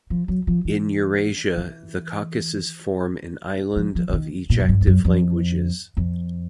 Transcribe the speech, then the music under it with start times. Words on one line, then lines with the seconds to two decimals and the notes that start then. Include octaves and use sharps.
In Eurasia, the Caucasus forms an island of ejective languages.
0.10 F3
0.28 F#3
0.47 F3
0.65 E3
1.57 E3
3.76 F3
3.95 F3
4.09 D3
4.13 D#3
4.50 A#2
4.60 F#2
4.69 G2
4.81 F2
4.87 F#2
5.04 F2
5.97 F2